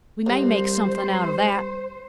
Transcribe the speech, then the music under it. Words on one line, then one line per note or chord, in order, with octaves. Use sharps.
We may make something out of that.
C2 C5